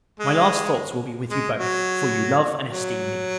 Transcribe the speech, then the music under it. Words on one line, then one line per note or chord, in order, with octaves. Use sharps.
My last thoughts will be with you both, for you love and esteem me.
G#3
G#3
F#3
F#3